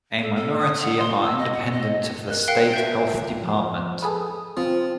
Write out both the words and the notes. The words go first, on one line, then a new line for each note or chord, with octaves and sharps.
A minority are independent of the state health department.
A4
A4
D#6
F#5
C6
E6
D#5
F#5
D#5
A#4 F#6
A#4 F5 G5 F#6 C#7 G7
B4 E5 G6 D7
F3
G#4 A4 B4 D#6
F3 C4